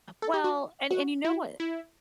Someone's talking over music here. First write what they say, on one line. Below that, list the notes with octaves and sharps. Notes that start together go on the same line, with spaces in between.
Well, and and you know what,
A4
G4
F#4
F#4
E4
E4